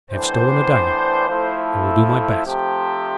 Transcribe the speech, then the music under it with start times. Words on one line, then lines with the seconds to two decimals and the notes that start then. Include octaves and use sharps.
I have stolen a dagger--I will do my best!
0.11 A2 E3 B3 D4 C5
1.27 F3 A3 E4 A4 C5
2.44 C3 F3 A3 C4 G4